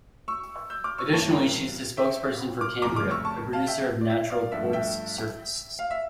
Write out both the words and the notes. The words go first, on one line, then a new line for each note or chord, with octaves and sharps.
Additionally, she is the spokesperson for Cambria, a producer of natural quartz surfaces.
C#6 E6
E6 G6
D6 F6
C#6 E6
G2 E3 A#3 C#4 E4 A5 C#6
G5 A#5
E5 G5
D6 F6
F1 F2 C#3 A#5 D6
D6 F6
C#6 E6
A5 C#6
F5 A5
E5 G5
D5
E5
D5 F5
G2 F3 A3 E5
E5 G5
F5
E5